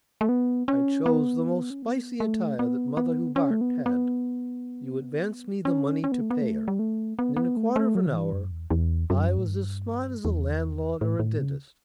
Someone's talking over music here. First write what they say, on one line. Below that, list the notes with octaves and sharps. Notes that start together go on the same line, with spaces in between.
I chose the most spicy attire that Mother Hubart had,--you advanced me the money to pay her,--and in a quarter of an hour I was as smart as a landlord or a dentist.
A3
B3
C#4
B3
C#4
B3
A3
B3
B3
C#4
A3
B3
B3
C#4
C#4
B3
A3
B3
A3
G3
A3
B3
B3
A3
A3
F#3
D3
E3
F#2
E2
E2
F#2
A2
G2
E2
A2
A2
C#3